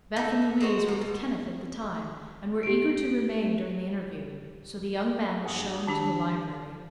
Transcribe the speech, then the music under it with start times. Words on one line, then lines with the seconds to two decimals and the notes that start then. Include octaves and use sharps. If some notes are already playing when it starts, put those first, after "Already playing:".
Beth and Louise were with Kenneth at the time, and were eager to remain during the interview, so the young man was shown into the library.
0.16 D#4 A4
0.42 E5
0.61 G#3 C4 F#4 D#5
0.88 D#4 A#4
1.01 B2
2.63 G4 D7
5.44 G2 F#4 G#4
5.87 D#3 D4 G4 A5